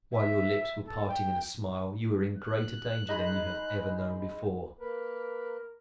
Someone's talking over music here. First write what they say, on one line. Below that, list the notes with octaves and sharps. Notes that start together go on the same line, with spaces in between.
While your lips were parting in a smile, you were in greater danger than you have ever known before.
E5
A4
G5
F#6
D#4 G#4 C5 D#5 B5
A#3 A#4 B4